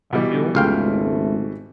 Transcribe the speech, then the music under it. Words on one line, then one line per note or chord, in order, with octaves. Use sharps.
I feel.
B2 E3 G3
G#1 C#2 A3 F5 G5